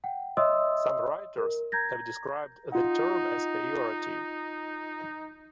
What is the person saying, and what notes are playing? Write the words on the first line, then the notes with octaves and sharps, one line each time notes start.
Some writers have described the term as pejorative.
F#5 G5
C#5 D#5 E5 C6 D#6 E6
A#4
A#5 G6 G#6 A#6
D#4 F4 F#5